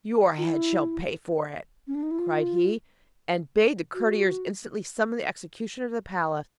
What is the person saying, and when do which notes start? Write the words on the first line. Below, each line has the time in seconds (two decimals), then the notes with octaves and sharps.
Your head shall pay for it!' cried he; and bade the courtiers instantly summon the executioner to the palace.
0.38 F4
0.44 E4
1.87 C#4
1.95 D4
2.03 D#4
2.11 E4
2.18 F4
3.94 F#4